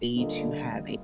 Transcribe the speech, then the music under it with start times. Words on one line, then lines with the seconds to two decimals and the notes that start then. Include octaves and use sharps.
stage to have a
0.17 D3 G3 A#3 F4 C5 D#5